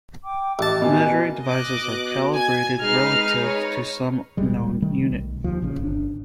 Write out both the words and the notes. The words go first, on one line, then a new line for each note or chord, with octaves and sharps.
Measuring devices are calibrated relative to some known unit.
G5 D6
A1 D#5 A5 D6
B2 A#4 B4 G#5
D#5 D6 F#6
B2
G#5 G#6
G#3 D#4 B4 F6 C7
C#5
D1 G3 G#3
D#3 G3 A3
B1
D#2 F3
A#1 C#3
G1 D4